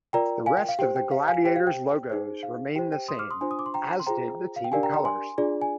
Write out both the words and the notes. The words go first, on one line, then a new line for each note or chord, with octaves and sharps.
The rest of the Gladiators logos remained the same, as did the team colors.
F4 A#4 D5 G5 A#5
F5 G#5
G5
F5
G4 C5 G5
G5
F5
F5 G#5
G4 C5 G5
F5
G5
D#4 G#4 C5
F5
G4 C5 G5
G5
C6 D#6
D6 F6
C6 D#6
D4 F4 C5 G#5 C6
D#6
D6
C6
G5 A#5
C6
F4 G#4 C5 G5 A#5
F5
G5
D4 G4 A#4 D5 F5 G#5
G5 A#5
G5 A#5
G#5 C6
D4 F4 G#4 D5
G#5